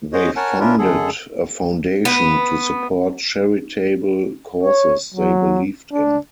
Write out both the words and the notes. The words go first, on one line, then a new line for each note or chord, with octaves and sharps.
They funded a foundation to support charitable causes they believed in.
F#4 G#4 C5 C#5 D#5
A#4 C#5 F#5 G#5 A5
C#4 D4 E4 F4 A#4
F#2 D3 G#4 A4
B3
C#5
F#3
D4